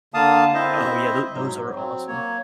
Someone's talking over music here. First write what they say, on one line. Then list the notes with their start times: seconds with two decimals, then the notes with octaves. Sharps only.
Oh yeah, tho those are awesome.
0.14 D3 A#3 F5 A5 D#6
0.54 C4 E4 C5 D#5 E5
1.34 G#2 F#3
1.74 F#3 C4
2.08 A#3 C#5